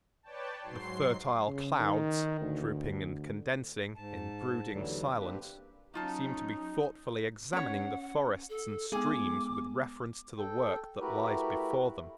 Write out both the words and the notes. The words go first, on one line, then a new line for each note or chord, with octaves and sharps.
The fertile clouds, drooping and condensing in brooding silence, seem to be thoughtfully examining the forests and streams with reference to the work that lies before them.
B4 C#5 D5 G5 A5
G#2 F#3 C6 C7
C#3
D#3
D2
G#2 A5
D#2 D3 E3 F#3 G3
A#3 C4 D4 G4 B4
F#3 A#3 C#4 D#4 F4 A5
C#4 C#5 F#5
A4
G#3 B3 G#4 D6
A4 G5
A3 E4 F#4 G4 A#4 B4